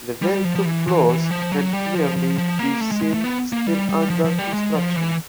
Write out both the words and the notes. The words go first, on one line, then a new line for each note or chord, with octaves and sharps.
The very top floors can clearly be seen still under construction.
G3
F3
F3
E3
E3
E3
F3
F#3
G3
F3
F3
F3
A#3
A3
G#3
G#3
A3
B3
A#3
G3
G3
F3
F3
G3
G#3
F3
E3